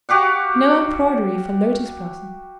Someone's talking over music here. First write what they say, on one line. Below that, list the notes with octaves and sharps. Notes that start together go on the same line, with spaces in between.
No embroidery for Lotus Blossom!
F#4 G4 F5 F#5